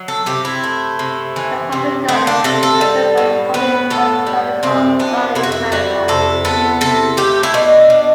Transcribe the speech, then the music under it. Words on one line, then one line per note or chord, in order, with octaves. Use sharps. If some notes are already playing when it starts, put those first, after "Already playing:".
The Public Garden was the first public botanical garden in America.
Already playing: F#3
A4
C3 G4
E4
A3
C3
E3
C3
A3 C4
D4
C3 A4
A4
G3
A2
B3 B4
A2 A4
G3
C3 C4
B3 D4
C3 E4
F#4
E4
G3 F#4
C3 A4
B3 A4
C3 A4
A3 G4
E4
B2 D4
B2